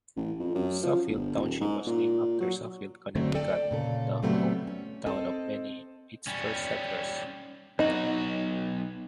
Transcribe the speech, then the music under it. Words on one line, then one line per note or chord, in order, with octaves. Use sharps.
Suffield Township was named after Suffield, Connecticut, the hometown of many its first settlers.
A1
F2
F#2
F3
G1
D#1
G#2
A#2
F#3
D3 F#3 A3 C4
A4 D5 G5
A#2 C#3 A4
C#3 F#3 G3 A3 B3 C4
C#4
C4 A4 D#5
G3 C#4
B1 D#4 F#4